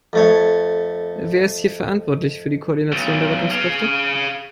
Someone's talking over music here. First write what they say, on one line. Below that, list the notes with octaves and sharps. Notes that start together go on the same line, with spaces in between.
Wer ist hier verantwortlich für die Koordination der Rettungskräfte?
F2 A3 C#5
B1
G#4 F5